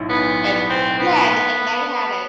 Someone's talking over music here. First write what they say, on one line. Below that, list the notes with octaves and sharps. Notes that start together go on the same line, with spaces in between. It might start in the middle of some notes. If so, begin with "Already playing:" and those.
and yeah, and and they had a
Already playing: B1 A2
B3
C4
B3